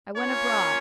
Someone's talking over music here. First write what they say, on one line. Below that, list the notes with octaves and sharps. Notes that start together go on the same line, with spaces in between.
I went abroad.
A#3 C#4 F4 C#5